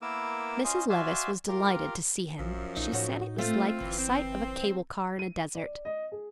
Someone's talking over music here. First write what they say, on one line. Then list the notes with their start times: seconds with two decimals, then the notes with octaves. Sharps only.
Mrs. Levice was delighted to see him; she said it was like the sight of a cable-car in a desert.
0.02 A#3 B3 E4 A#4 D6 E6
0.64 C#4 F4 C5 D#5
0.90 F#4 D5 E5 F5 G#5 C6
1.48 F4 G4 A#4
2.39 A#1 F#2 F3
2.77 B1 D#4
2.92 A2 D#4 F#4 C#5
3.38 A3 C4 F4
3.80 G1 E3
3.98 C4
5.19 D#7
5.55 D5
5.85 D#5
6.12 G#4